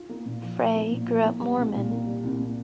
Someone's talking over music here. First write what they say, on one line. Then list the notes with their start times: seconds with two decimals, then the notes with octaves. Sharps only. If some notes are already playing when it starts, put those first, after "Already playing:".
Frey grew up Mormon.
Already playing: F4
0.09 A#3
0.26 A#2
0.42 F3
0.59 F4
0.76 A#3
0.91 A#2
1.08 F3
1.24 A#3
1.41 G3
1.57 C2
1.74 A#2
1.91 A#3
2.06 G3
2.24 C2
2.39 A#2